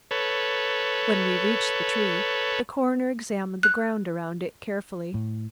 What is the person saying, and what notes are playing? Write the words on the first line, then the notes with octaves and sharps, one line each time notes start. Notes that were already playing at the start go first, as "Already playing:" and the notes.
When we reached the tree, the coroner examined the ground around it carefully.
A4 B4 C#5
F#6
A2